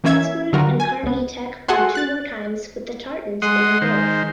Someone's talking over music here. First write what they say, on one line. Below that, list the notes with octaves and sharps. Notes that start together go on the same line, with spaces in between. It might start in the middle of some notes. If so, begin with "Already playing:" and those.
Pittsburgh and Carnegie Tech played two more times with the Tartans winning both.
E3 A#3 C#4 E5 G#6
D3 F#3 G3 F4 F#4 A#4
G#5
C#2 B3
F#4 G#4 A4 F#5 G#5 C6
F#6 A6
G#3 F#5 C6 D#6
D#3 C5